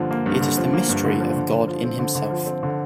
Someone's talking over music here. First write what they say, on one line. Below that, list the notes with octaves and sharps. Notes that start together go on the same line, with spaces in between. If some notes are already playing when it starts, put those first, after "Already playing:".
It is the mystery of God in himself.
Already playing: G2 D3 F3 A#3
A#3
G2
D3
F3
A#3
G2
D3
F3
D3
D3
F3
C4
D3
D3
F3
C4
D3